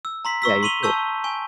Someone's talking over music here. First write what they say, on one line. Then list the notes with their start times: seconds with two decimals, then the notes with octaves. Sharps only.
Yeah, you too.
0.05 E6
0.25 A#5 C6 B6
0.42 C#6 E6 B6
0.63 C6 C#6 D#7 F7 G7
0.83 A5 C#6 E6 G6
1.24 G#5 C#6